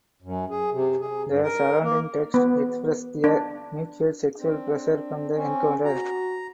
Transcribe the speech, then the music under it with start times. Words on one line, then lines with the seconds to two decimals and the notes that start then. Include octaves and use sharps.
The surrounding text express their mutual sexual pleasure from the encounter.
0.22 F#2
0.50 G#4
0.72 C3
1.01 G#4
1.28 G2
1.43 A#4
1.83 A#3
2.34 B3
3.24 D4
4.39 C4 D4
5.35 C4 C#4
5.84 F#4 A#5